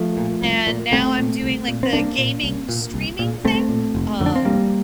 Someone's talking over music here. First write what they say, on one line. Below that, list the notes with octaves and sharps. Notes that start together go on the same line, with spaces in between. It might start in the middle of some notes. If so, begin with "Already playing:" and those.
And now I'm doing like the gaming streaming thing, um
Already playing: F3 A3
A#2
C2
A#2
C2 A3 C4
A#2
C2
A#2
C4
C2 A#3 D4
A#2
C2
A#2
C2
A#2
C2 A3 C4
A#2
F1
F2 D3
D4
C4
F1 G3 A#3